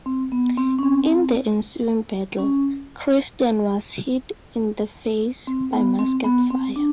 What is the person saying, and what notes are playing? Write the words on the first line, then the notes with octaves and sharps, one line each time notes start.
In the ensuing battle, Christian was hit in the face by musket fire.
C4
B3
C4
C#4
C4
C#4
C4
B3
C4
B3
C4
D4